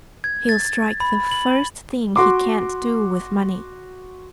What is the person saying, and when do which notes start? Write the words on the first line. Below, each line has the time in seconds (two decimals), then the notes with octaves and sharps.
He'll strike the first thing he can't do with money.
0.24 G#6
0.49 A6
1.00 B5
1.31 F#7
2.16 F#4 C6 D6